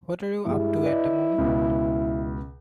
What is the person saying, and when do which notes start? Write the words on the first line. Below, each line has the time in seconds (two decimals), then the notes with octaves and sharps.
What are you up to at the moment?
0.46 G2 G3 G#3 E4
0.84 B4 D5 D#5
1.38 C#2 B2